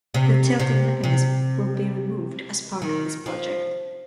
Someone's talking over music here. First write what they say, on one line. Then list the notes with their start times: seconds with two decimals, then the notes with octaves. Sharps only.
The tilting mechanisms will be removed as part of this project.
0.14 C3
0.60 C3
1.04 C3
2.82 D#3
3.26 F3